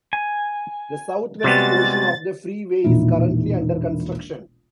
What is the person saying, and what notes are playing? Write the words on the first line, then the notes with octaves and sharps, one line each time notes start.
The southwest portion of the freeway is currently under construction.
G#5
C3 G3 G#3 B3 F#4 A6
E1 A#1 A#2 D#4 E4